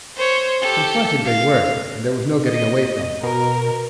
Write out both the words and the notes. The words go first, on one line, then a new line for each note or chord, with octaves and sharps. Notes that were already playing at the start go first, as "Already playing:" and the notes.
Confronted they were, and there was no getting away from it.
C5 C#5
G4 A4
F5
D#5
B2 A#4